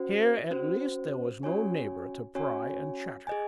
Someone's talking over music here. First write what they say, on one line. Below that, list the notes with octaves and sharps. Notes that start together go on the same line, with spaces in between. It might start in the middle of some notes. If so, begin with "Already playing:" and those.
Here at least there was no neighbour to pry and chatter.
Already playing: C#4 F#4 C5
C#4 F#4 C5
C#4 F#4 C#5 G#5
C#4 F#4 C#5 G#5
G#4 D#5 G#5